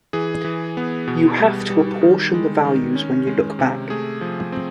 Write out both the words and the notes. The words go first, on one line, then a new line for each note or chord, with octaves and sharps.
You have to apportion the values when you look back.
E3 G#4
E3
B3
B2
G3
G3
D#3
G#3
D#3
C#4
G#3
C3
A3 G#4
F3
C4